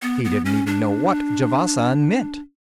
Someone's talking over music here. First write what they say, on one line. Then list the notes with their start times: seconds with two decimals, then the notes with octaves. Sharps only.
He didn't even know what Javasan meant.
0.02 B3
0.24 B3
0.45 C#4
0.67 D4